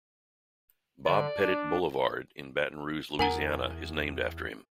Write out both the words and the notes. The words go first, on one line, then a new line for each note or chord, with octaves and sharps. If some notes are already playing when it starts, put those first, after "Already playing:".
"Bob Pettit Boulevard" in Baton Rouge, Louisiana is named after him.
D3 D5
D4
E2 A#4 F#5 G#5 A#5